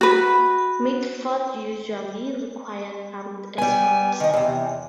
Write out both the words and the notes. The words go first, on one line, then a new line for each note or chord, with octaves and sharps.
Mitford usually required armed escorts.
F#4 B4
G3 B3 G#5
D#3 D#5
E2 C3